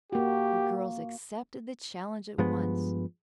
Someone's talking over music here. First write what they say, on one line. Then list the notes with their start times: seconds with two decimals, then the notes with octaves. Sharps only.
The girls accepted the challenge at once.
0.13 A#3 F#4 G4
2.38 G2 F3 G#3 B3